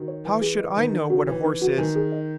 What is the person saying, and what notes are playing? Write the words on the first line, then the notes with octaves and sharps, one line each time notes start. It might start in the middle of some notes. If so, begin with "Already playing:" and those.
How should I know what a horse is?
Already playing: D#3 F#4
C#5
E3 G#5
G#4
D#5
D#3 B4
D#4
F#4
E3 C#5
D#4
F#4
D#3 G#5
G#4
D#5